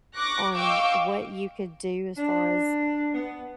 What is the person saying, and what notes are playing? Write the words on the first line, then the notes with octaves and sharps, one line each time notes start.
on w what you could do as far as
C#6 D6 F#6 A#6
D#5 F5 G5 C#6 D6 E6
D4
B3